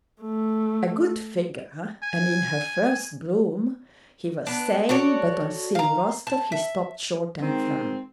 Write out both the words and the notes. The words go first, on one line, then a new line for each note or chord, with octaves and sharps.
"A good figure and in her first bloom," he was saying, but on seeing Rostov, he stopped short and frowned.
A3
G#5
B3 D4
F#4 A4 C#5 D5
F5 A#5
A5
E5
D#3 G#3 C4